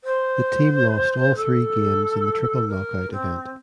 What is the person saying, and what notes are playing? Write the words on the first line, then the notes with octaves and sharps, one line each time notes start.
The team lost all three games in the triple knockout event.
C5
A4
A#4
C4